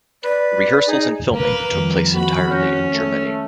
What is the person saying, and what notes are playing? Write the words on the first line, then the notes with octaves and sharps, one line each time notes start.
Rehearsals and filming took place entirely in Germany.
B4 D5
D#4 G#4
A#3 B4
F2 D#3 G3
D#3 A#3 F#4 B5
C#4 F6 G6 A#6
A3